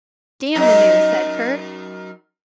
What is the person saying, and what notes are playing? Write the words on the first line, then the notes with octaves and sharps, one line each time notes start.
"Damn the news," said Kurt.
F#2 D#4